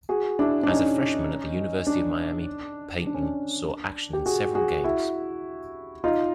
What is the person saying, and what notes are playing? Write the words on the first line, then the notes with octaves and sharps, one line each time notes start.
As a freshman at the University of Miami, Payton saw action in several games.
F#4 G#4
D4 E4
D4
C#4 D#4
D4
D4
C#4
D4
G4
F#4 G#4
F#4 G#4
E4 F#4
D#4 F4